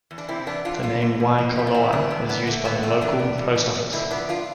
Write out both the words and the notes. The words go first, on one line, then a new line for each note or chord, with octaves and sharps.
The name Waikoloa is used by the local post office.
E2
D4
C3 C4 E4
E2 B3 D4
E2 D4 F4
E2 D4 F4
E2
E2
F3
C3 G4
F4
E2 C4 E4
E2 B3 D4
E2 B3
D3 B3 D4
D3 A3
D3 B3
E2 A3 C4
E2 B3 D4
E2
E2
E2
E2
D3 C4 E4
F3 B3 D4
D4 F4